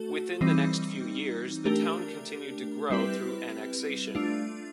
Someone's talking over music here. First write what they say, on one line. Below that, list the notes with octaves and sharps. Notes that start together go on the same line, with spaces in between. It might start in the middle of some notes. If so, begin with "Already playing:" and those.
Within the next few years, the town continued to grow through annexation.
Already playing: A3 F#4 A4
E3 G3 C4 D#4
A3 D4 G4 A#4
G3 C4 E4 G4 B4
A3 D4 F4